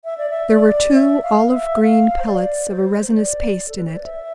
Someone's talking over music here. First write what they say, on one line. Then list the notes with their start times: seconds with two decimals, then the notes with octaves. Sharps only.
There were two olive-green pellets of a resinous paste in it.
0.05 E5
0.18 D5
0.30 E5
0.50 D5
0.94 E5
1.23 F5
1.52 E5
1.82 F5
2.19 C5
2.27 D5
2.70 C5
3.07 C5
3.15 D5
3.59 D5
3.68 A4
3.76 B4
3.86 C5
3.94 D5
4.03 E5